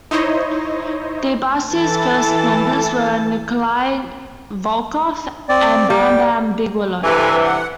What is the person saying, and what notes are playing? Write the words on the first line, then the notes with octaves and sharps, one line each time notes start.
DiBiase's first members were Nikolai Volkoff and Bam Bam Bigelow.
D#4 E4 C5 C#5 D#5
E3 A4 A5
C4 D5
G3 G5
G2 C3 E3 A4 B4 G#5
F#5